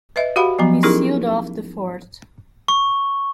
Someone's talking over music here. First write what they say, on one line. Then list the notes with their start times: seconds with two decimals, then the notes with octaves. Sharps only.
He sealed off the fort.
0.16 B4 D#5 E5
0.36 F#4 G4 F5 F#5 B5
0.59 F3 F#3 B3 A#5
0.83 C#4 D#4 E4 G4 G#4 A#4
2.68 C#6